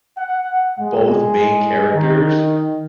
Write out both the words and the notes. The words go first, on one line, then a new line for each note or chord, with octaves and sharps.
both main characters,
F#5
G#3
D#3